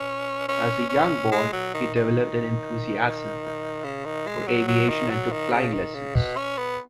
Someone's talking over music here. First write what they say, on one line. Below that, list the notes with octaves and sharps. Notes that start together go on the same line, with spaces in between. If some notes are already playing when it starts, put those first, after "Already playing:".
As a young boy he developed an enthusiasm for aviation and took flying lessons.
Already playing: C#4
C#4
C#4
G#3
F#3
D#3
D#3
C#3
D#3
G#3
F#3
F#3
D#3
F#3
D#3
C#3
D#3
C#3
B2
C#4
B3